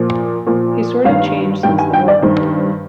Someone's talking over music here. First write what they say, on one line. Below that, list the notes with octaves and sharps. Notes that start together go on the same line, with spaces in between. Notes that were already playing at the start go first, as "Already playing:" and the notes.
He's sort of changed since the war.
Already playing: A#2 F3
A#2 F3
G2 D#3 F5
G2 D#3 G5
G#5
G5
D5
G2 D#3 C5